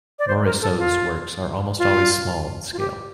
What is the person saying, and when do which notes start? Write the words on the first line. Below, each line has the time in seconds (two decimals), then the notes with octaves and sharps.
Morisot's works are almost always small in scale.
0.19 D5
0.28 C5
0.45 A#4
0.62 A4
0.78 F4
1.79 F4
2.73 F4
2.79 G4